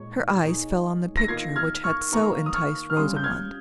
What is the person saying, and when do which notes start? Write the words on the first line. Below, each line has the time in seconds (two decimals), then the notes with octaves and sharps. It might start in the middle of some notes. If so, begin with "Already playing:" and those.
Her eyes fell on the picture which had so enticed Rosamond.
Already playing: A#2 G#3 D#4 C#5
0.44 A#2 G#3 D#4 G#4 C#5
1.17 A#6
1.28 D#3 A#3 F4 G#6 C7
1.56 F6 G#6
1.84 C#6 F6
2.12 D#3 A#3 F4 A#5 C#6
2.46 D#6
2.54 C#6 F6
2.90 F6
2.97 C3 G3 C#4 F4 C6 D#6
3.16 G6
3.23 F6 G#6